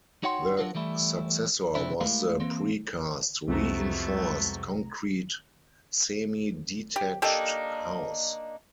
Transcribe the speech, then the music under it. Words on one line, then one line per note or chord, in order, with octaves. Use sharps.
The successor was the pre-cast re-inforced concrete semi-detached house.
D#4 F#4 C#5 F#5 G5 C6
F#3 D4 F4 F#4
E3 G3 A3 E4
F2 C3 C4 D4 E4
G#3 A3 E4 G4 A#4 F5
E3 A#3 C4
C2 F2 B2 G#3 A3 A#5
G4
A#3 D4 D#4 G4 A4